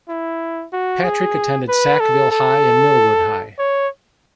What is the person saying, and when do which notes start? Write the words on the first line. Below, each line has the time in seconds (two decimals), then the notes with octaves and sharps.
Patrick attended Sackville High and Millwood High.
0.09 E4
0.73 F#4
1.04 G#4
1.69 B4
2.00 A4
2.31 A4
3.59 C#5